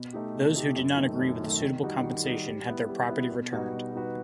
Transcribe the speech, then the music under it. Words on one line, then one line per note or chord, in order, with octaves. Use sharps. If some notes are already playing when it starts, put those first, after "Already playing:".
Those who did not agree with the suitable compensation had their property returned.
Already playing: B2
A3 D#4 G4
B2
A3 D#4 G4
F#2
D#3 A3
F#2
D#3 A3
D#3
G3 D#4 F#4
D#3
G3 D#4 F#4
G3
B3 E4
G3
B3 E4
B2
G3 D#4 F#4 B4
B2
G3 D#4 F#4 B4